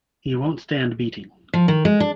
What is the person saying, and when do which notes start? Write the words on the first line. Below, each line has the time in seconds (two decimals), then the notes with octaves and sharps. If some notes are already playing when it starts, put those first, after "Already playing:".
He won’t stand beating.
1.54 F3
1.68 D#3
1.85 G#3
2.00 D4